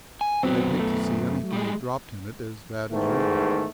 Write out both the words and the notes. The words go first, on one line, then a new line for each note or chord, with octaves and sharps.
I'd hate to see any money dropped in it as bad as you would.'
G#5
F#2 F#3 B3 C4
A3
G3 G#3
E2 G#2 D#3 A3